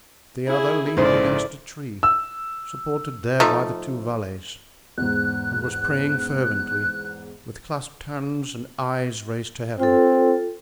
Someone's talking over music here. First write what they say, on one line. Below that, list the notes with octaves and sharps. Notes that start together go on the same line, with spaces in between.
The other leaned against a tree, supported there by the two valets, and was praying fervently, with clasped hands and eyes raised to Heaven.
E4 G#4
A#1 G#2 C#3 E4 A4 C5 D5
E6
F3 A3 D#4
E2 G#2 F#6
C4 F4 A4